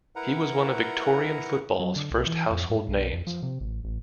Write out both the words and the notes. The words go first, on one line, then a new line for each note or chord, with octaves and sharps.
He was one of Victorian football's first household names.
E4 A#4 B4 F#5 A#5
F#3
D3
C2
E3
F2
G#2
B1
F2
F3
C3
A1
A1